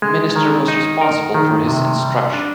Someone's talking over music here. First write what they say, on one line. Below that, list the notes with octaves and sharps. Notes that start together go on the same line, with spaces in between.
Minister was responsible for his instruction.
G#3
D#3
D#4
A#4
D#3
C3
G3
D4